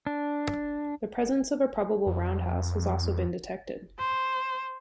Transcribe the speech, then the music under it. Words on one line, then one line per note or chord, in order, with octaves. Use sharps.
The presence of a probable roundhouse has also been detected.
D4
F2
C5